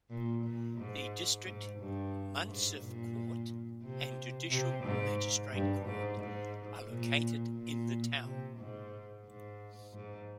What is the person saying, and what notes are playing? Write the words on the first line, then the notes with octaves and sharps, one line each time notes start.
The District Munsiff Court and Judicial Magistrate Court are located in the town.
A#2
A#2
G#2
G#2
G2
G#2
A#2
C3
C3
G#2
G2
G#2
G#2
A#2
A#2
C3
G#2
G#2
G#2